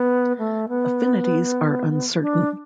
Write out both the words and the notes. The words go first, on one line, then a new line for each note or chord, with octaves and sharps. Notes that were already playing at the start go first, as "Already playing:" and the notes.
Affinities are uncertain.
Already playing: B3
A3
B3
D4